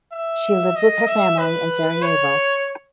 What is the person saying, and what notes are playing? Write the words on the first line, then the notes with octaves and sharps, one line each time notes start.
She lives with her family in Sarajevo.
E5
D#5
E5
B4
C#5